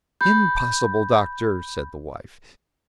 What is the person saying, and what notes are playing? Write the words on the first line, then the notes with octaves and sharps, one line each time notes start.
"Impossible, doctor," said the wife.
B5 G6